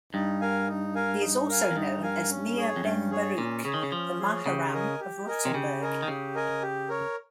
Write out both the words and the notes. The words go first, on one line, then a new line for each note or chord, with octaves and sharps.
He is also known as Meir ben Baruch, the Maharam of Rothenburg.
G2 D#4
A#4 F5 G#5
D#4
A#4 F5 G#5
D#4
A#4 F5 G#5
F2
G2 D#4
A#4 F5 G#5
C#4
G#4 C#5
F2
G2 C#4
G#4 C#5
A#2 C#4
C#3 G#4 C#5
D#3
C#3
F3 C#4
G#4 C#5
C#3 G4
A#4 D#5 G#5
G4
A#4 D#5 G#5
C3
C#3 G4
A#4 D#5 G#5
D#3
C#3 G4
A#4 D#5 G#5
G4
A#4 C#5